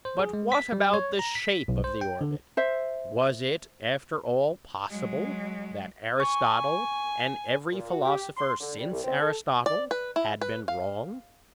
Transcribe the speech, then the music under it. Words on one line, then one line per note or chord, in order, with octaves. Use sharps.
But what about the shape of the orbit--Was it after all possible that Aristotle, and every philosopher since Aristotle, had been wrong?
C5
G#4
G#3
B6
G3
C#5
A#5
B6
B1
C5
G5
D3
C5 E5
F#3 G#3
G#5 C#6
A#2
F#4
G4
C6
D3
G3
C2
C4
A4
D5
B4
E4
B4
F5